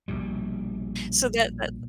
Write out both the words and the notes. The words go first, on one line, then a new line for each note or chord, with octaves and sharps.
so that that
A#1 B2 G3